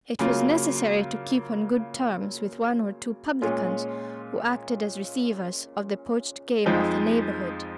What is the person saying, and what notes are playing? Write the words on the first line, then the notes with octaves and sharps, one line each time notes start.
It was necessary to keep on good terms with one or two publicans who acted as "receivers" of the poached game of the neighbourhood.
C#3 F#3 A#3 F4
A#2 G#3 C#4 F4
F2 F3 G#3 D#4